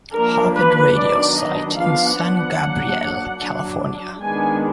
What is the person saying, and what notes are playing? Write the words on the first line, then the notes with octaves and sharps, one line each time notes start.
Harvard radio site in San Gabriel, California.
F3 A#3 D4 A#4
B4
D#3 F#3 B3 D4 D5
D#5
F3 B3 D4 F5
F#5
F#3 A#3 D4
F#3 D4
D#3 G#3 B3 D4 G#5